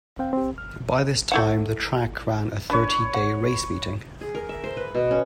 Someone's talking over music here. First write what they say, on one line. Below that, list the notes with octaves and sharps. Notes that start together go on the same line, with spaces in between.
By this time the track ran a thirty-day race meeting.
C4 F5 G5
C4 G4
F6
A3 E4 F#5
D4 B4 C#5
F#5
G#4
A#4
E5
C5
B4
B2
C#4